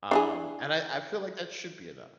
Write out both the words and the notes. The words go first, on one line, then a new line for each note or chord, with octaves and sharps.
Um, and I I feel like that should be enough.
D4 E4 G#4